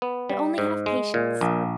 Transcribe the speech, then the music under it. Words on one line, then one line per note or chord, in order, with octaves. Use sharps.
But only have patience!
B3
G3
G#2
G#3
A#2
A#1